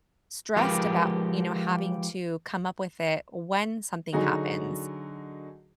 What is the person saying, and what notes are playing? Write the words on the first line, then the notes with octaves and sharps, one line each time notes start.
stressed about, you know, having to come up with it when something happens.
F3 G#3 G4 A#4 B4
D3 F#3 D#4 F#4 G#4